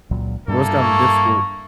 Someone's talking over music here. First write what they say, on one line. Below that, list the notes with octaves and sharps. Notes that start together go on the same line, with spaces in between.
so it's, kinda, difficult,
C#2 A#2 F#3
G2 G3 A#3 D4 E4 A4
C#6